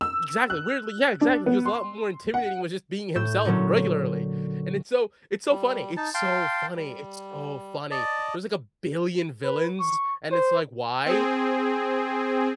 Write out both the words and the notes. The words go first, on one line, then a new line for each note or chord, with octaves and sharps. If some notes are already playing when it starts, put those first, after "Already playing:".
Exactly, weirdly Yeah, exactly, he was a lot more intimidating with just being himself regularly, and it's so it's so funny. It's so funny. It's so funny, there was, like, a billion villains, and it's like, "Why?"
E6
F#6
D4
B3
C6
F#5
A2 E6 G6
A#2 D3 F#3 C#4 A4
G3
D#4 A5
F5 G5 A5 C6
G3
D5 D#5 A5
B4
C#6
C5
C4 G#4